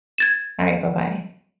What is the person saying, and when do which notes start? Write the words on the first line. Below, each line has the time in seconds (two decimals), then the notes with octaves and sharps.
Alright, bye-bye.
0.18 G#6 A6 E7